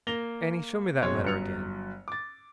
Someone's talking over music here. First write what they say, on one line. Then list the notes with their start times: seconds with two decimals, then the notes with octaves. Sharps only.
Annie, show me that letter again.'
0.07 A#3 A#6 F7 G7
1.03 F#1 B2 C#5 C6
1.24 G1 F#3 C#7 F7
2.08 D6 A6